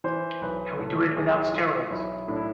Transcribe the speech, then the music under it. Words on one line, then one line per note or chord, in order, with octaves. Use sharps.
And we do it without steroids!
E3 C5
B1 B4
A2 A4
B1 G#4
G#4
E3 F4
B1 E4
A2 D4
E4